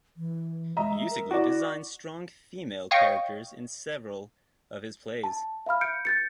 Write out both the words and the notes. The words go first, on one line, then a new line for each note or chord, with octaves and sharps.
Usigli designed strong female characters in several of his plays.
E3
G#3 D#5 E5 A#5
A#4
E4 F#4 D5
C#5 D#5 F5 G5 C#6
A5
E5 F5 B5 F6
G6 C#7 D7
G6 A6 C#7